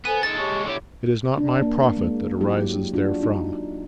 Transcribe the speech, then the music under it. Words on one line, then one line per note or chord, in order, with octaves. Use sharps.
It is not my profit that arises therefrom.'
B3 A4 C5 G#5 D#7
G#3 D#4 A4 A6
G4 C#5 C#6
D3 E4 G4 C#5
D4
A#3
G#3 A#3
F#3 E4 G4
D4 F4 F#4
D#4